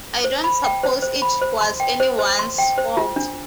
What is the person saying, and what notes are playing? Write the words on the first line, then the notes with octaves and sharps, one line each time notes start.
I don't suppose it was anyone's fault.
C5
B5
G5
C5
C5
B5
C5
C6
G5
C5
C5
C6
G5
C5
F4
D4